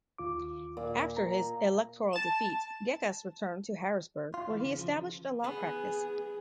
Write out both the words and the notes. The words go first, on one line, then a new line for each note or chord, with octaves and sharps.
After his electoral defeat Gekas returned to Harrisburg where he established a law practice.
D#2 F4 D6
A#2
A#5
A5 E7
F4
E3
C#3
F3
B3 G#4